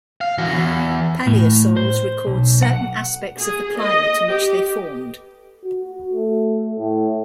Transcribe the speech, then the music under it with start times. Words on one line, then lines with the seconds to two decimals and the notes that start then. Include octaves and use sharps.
Paleosols record certain aspects of the climate in which they formed.
0.21 F5
0.38 E3 F#4
0.52 E2
1.27 A2
1.77 C5
2.27 B1
2.63 F#5
3.38 G#4
3.80 D#5
4.28 G4
5.65 F#4
6.12 A3
6.78 A2